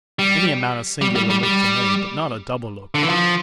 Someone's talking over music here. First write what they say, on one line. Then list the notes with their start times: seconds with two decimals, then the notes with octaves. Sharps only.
Any amount of singular look for me, but not a double look!
0.19 G3
1.02 G3
1.16 G3
1.30 G3
1.43 G3
2.95 D3
3.02 E3
3.09 F3